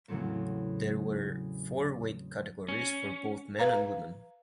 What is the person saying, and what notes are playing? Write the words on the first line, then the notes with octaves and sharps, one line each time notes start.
There were four weight categories for both men and women.
E2 A2 C#3 F#3 A3 C4
C#4
B4 F5 A#5